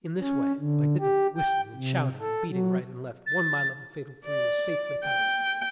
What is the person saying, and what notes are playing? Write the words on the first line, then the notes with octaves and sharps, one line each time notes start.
In this way, by dint of whistling and shouting, and beating right and left, one mile of the fatal three was safely passed.
C#4
D3
G4
G5
C3
A4
F#3
A6
D5
G5